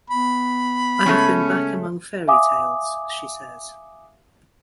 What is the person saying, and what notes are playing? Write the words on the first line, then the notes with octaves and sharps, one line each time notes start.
"I have been back among fairy tales," she says.
B3 B5
C#3 G#3 A3 C#4
E5 F5 G#5 D6 D#6